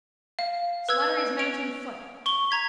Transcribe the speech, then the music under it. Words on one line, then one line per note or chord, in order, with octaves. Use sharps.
Slattery's mounted foot.
F5
B4 E6 G#6
D7 F7
C#6 G7
A#5 G#6 B6